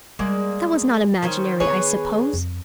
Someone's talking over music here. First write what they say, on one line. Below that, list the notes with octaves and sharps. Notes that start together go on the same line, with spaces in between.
"That was not imaginary, I suppose!"
G3 G#3 A#3 D5
D#3 C#4 C5
D#3 B3 G#4 B4 C#5
F2